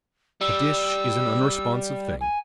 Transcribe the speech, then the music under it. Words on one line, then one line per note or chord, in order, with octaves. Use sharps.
A dish is an unresponsive thing.
G3 E6
G#5